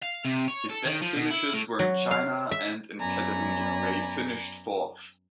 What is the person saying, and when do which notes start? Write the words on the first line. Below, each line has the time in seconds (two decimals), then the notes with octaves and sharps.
His best finishes were in China and in Catalunya, where he finished fourth.
0.03 F5
0.25 C3
0.48 C#5
0.70 A4
0.85 D#3
1.02 F3
1.16 B2
1.30 E4
1.53 A2
1.79 F#3
2.11 F5
2.51 E5
2.98 F#2 B3 D5 G#5 A#5 B5